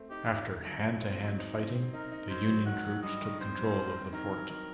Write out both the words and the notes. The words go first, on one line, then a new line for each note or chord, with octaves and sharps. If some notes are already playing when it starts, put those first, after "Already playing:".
After hand-to-hand fighting, the Union troops took control of the fort.
Already playing: A3 C4
D#4 G4
D#4
A3
F#3
A3
C4
F#3
D#4
C4
C4
D#4 A#4
D#4
F#3 C5
F#3
D#3 F#5
F#3
G2 D#5
D#3
C4 C5
F#3
G2
C4
D#3 A#4
F#3
D#3 A#4